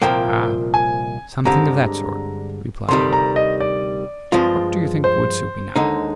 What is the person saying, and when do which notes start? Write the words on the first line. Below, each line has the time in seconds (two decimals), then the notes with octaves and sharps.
'Ah! something of that sort,' replied Noah. 'What do you think would suit me now?
0.02 C2 A#2 F3 A#3 G5
0.74 G#5
1.45 G2 D3 G#3 C4 G4 A#5
2.88 D2 C3 D#3 G3 C6
3.13 A#5
3.36 D#5
3.60 D5
4.32 G2 F3 G#3 C4 F4
5.04 C5
5.76 D#2 D3 G#3 D#4